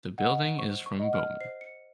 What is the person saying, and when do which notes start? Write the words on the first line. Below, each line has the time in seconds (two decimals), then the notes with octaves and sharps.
The building is from Bowman.
0.18 D#5 F#5
0.59 C5 C#6
0.86 C#6
1.00 D#5 F#5
1.14 F6
1.41 C5 C7
1.61 C#7